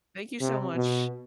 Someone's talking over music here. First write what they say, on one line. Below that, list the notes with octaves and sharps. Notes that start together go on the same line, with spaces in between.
Thank you so much.
C3
B2